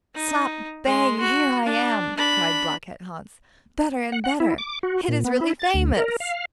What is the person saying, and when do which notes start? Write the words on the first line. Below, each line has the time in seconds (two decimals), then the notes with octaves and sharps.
'Slap! bang! here I am!' cried Blockhead-Hans; 'better and better--it is really famous!'
0.14 D#4
0.85 G#3 C6
1.20 F#4
1.65 D4
2.17 D4 B5
4.12 F#5
4.24 F#5
4.40 E4
4.58 D6
4.83 F#4
5.08 A#2
5.24 B3
5.41 E4
5.59 A6
5.74 D2
5.97 A#4
6.20 F5